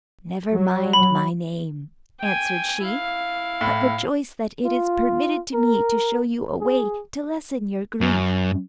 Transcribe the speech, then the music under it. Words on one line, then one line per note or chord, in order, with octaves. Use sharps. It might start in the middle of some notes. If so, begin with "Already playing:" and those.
'Never mind my name,' answered she, 'but rejoice that it is permitted to me to show you a way to lessen your grief.
F#3
B5
G5 G#5
E4 F5
A2
F4
A#4
G#4
F#2